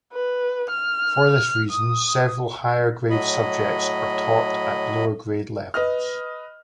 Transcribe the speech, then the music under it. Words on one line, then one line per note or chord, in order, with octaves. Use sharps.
For this reason several higher-grade subjects are taught at lower grade levels.
B4
F6
D#6
A2 F#3 D#5 B5
B4 D#5 F6